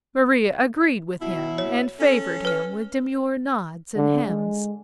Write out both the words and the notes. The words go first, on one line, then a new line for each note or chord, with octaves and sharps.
Maria agreed with him and favoured him with demure nods and hems.
B2 F#3 E4
C#5
C#4 A4
B4 F6
D3
G#3